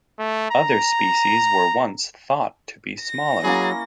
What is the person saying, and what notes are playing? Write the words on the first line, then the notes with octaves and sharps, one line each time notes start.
Other "species" were once thought to be smaller.
A3
A#5
A#6
F#3 A#3 C#4 E4 G#4